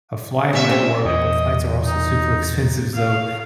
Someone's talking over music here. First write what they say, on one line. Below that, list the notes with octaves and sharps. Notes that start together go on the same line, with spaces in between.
a flight might work, but flights are also super expensive, so,
C3 C#4 E5
C4 G4
E2 A#2 D#5
D#4
F5